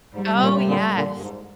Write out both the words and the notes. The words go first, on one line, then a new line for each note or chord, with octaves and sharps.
Oh, yes.
G#2 G3
C3
A#2
C3
A#2 D3
A#2 D3
G2
G#2